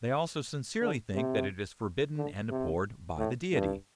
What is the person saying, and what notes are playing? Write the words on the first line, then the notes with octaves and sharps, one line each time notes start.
They also sincerely think that it is forbidden and abhorred by the Deity.
D3
C3
D3
C3
A2
G2